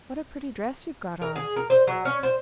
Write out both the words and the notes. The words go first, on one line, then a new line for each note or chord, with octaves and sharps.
"What a pretty dress you've got on!"
A#4
G#4
A#4
C5
F#3
C#4
C5